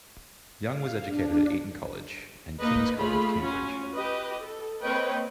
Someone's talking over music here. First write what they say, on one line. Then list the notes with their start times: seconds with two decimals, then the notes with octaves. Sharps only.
Young was educated at Eton College and King's College, Cambridge.
0.62 F5
1.04 D4
2.62 A#3 D#4 B4 D#5
2.98 A3 F4 G#4 B5
3.42 C#4 F4 F#4
3.96 G4 B4 D#5
4.43 A4
4.82 A#3 C4 B4 C#5 D#5 G5